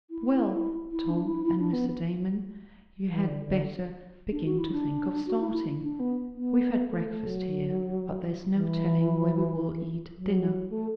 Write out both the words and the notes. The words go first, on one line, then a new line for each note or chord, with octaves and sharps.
"Well, Tom and Mr. Damon, you had better begin to think of starting. We've had breakfast here, but there's no telling where we will eat dinner."
E4
E4
E4
E4
D4
E4
E4
D4
B3
E3
D3
D3
D4
F#4
E4
D4
F#4
E4
E4
D4
B3
B3
A3
A3
F#3
E3
F#3
A3